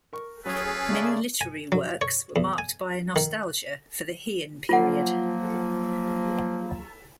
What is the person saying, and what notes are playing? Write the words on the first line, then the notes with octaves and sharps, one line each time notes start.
Many literary works were marked by a nostalgia for the Heian period.
A#4 C#6
F#3 C#4 G#4 A4 B4 C#5 F5
C#3 A3 D5
G#5
F#3
C#5
E2
G#5
D#3
F3 F#3 A#3 F4 F#5